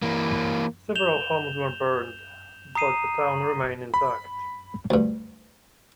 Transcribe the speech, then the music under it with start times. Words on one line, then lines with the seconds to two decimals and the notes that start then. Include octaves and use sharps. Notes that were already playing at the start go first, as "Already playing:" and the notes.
Several homes were burned, but the town remained intact.
0.02 E3 A#3
0.95 G6 E7 F7 G7
2.75 A#5 D#6 C7 D#7
3.94 B5
4.90 D2 G2